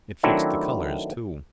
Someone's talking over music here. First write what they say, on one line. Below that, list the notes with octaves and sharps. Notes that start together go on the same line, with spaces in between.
It fixed the colors, too.
D#3 F#3 A3 C4 D4 E4